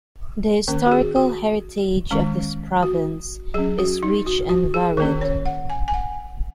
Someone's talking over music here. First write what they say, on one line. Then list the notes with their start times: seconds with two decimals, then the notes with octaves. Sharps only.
The historical heritage of this province is rich and varied.
0.68 D#3 A#3 C#4 A#4
0.85 F#4
0.92 G#4
1.16 F#4
2.11 D#3 G#3 C#4
2.83 F#4
3.54 F#3 C#4 G#4
3.79 F#4
4.03 D#4
4.26 F#4
4.49 F#4
4.74 G#4
4.97 D#3 A#3 C#4 A#4
5.21 C#5
5.46 F#5
5.70 G#5
5.88 G#5
5.94 F#5